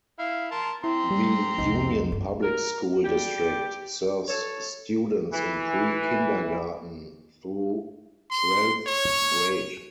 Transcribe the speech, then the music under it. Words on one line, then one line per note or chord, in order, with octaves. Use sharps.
The Union Public School District serves students in pre-kindergarten through twelfth grade.
E4 F5
A#4 A5 C6
C4 E4 A#5 C6
G3
C2 F2 D#4
G2
A#4
G3 G4
A4 C#5
E3
C6
C#5